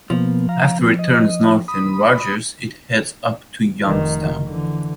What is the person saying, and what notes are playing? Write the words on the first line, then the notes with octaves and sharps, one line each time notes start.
After it turns north in Rogers, it heads up to Youngstown.
B2 F3 A#3 B3
F5 A#5
B3
D#5
B5 D#6
F1 D#3
D3 E3